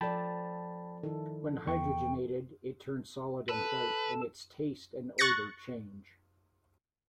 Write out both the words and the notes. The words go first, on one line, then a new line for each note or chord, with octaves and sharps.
When hydrogenated, it turns solid and white and its taste and odor change.
F3 A4 D5 G5 A5 B5
D#3 E4 A4
E2 G5 C#6
A4 B4 A5
C#6 F#6 A6 A#6 C#7